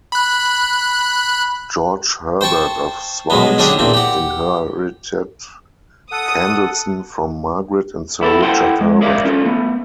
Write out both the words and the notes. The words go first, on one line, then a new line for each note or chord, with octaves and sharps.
George Herbert of Swansea inherited Candleston from Margaret and Sir Richard Herbert.
B5 F#6
C5 G5 A5 C#6
B2 F#3 G#3 B3
D3 F#3 C#4 D4 G4 G#4
E2 A#2 C4
G4 F#5
A4 F#5 D#6
B3 E4 A4
E4 A4 C5 F#5 G5 C6
G#3
G#4 A#4 D5 E5 F5
C#4 F4 A4
A3 B3